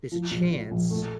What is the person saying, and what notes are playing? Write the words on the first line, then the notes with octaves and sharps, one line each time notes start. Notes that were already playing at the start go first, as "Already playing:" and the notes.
there's a chance
F3
A#1
A#2
A#1
A3